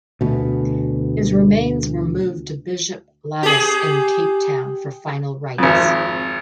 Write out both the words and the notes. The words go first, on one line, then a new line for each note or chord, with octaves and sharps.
His remains were moved to Bishop Lavis in Cape Town for final rites.
D2 B2
G4 G#4
G#1 F2